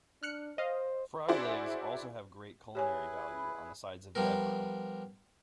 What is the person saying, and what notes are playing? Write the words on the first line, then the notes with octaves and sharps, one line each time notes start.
Frog legs also have great culinary value on the sides of the Ebro.
D4 F6 F#6 C#7
C5 D#5 F5
D4 E4 F#4 G#4 C5 D5
E4 G4 G#4 B4 C#5 G#5
F3 G3 B3 A#4